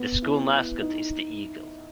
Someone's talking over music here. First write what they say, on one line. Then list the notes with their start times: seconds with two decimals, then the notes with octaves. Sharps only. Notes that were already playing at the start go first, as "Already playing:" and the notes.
The school mascot is the eagle.
Already playing: B3
0.22 E4
0.52 E4
0.81 D#4